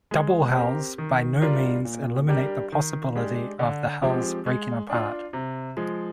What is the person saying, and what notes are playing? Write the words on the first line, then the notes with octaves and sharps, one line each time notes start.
Double hulls by no means eliminate the possibility of the hulls breaking apart.
G#3
C4 G4 A#4
D#3
G3 D4 F4 A#4
A#2
G3 D4 G4 A#4
D#3
G#3 D4 G4
D3
F3 G#3 C4 G4
G#3
D4 F4
C3
F3 G#3